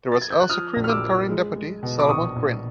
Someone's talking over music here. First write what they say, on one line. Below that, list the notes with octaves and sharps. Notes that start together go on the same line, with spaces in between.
There was also a Crimean Karaim deputy, Salomon Krym.
A6
G#6
G6
F#6
F3 D#6 F6
A#1
F6
D6 E6
F3
G#3
G#3
B2
D6
A#1 C#6 D#6
A#1